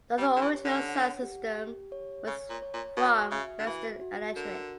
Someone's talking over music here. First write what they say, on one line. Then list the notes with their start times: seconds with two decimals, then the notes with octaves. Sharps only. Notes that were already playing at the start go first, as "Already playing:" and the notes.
The other original sound system was from Western Electric.
0.18 G3 G4
0.37 D3
0.42 E3
0.53 C#5
0.65 D3
0.89 F#5
1.23 G4
1.58 G4
1.92 C#5
2.27 C#3 C#5
2.50 A#2
2.62 C#5
2.74 A#2
2.97 B2 F#4
3.32 C#3 E5
3.59 D3
3.66 E3 F#4
4.01 F#4
4.36 D3 A#4